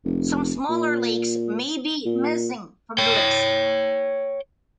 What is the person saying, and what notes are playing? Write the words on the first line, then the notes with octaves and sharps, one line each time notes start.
Some smaller lakes may be missing from the list.
F1
A#2
A#2
C#5 G5